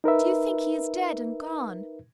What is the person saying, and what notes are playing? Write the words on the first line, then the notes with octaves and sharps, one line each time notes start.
"Do you think he is dead and gone?"
D#4 A#4 B4 E5